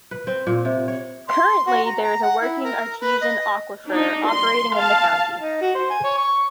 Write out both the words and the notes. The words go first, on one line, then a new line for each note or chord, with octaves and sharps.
Currently there is a working Artesian aquifer operating in the county.
B4
C4
A#2
C3
C#5
C6
F#4
A#5
A#5
F#5
E4
A#4
B4
D#5
D4 D#4
C6
F5 A5
D#4
F#4
C5
G#5
C#5
C#6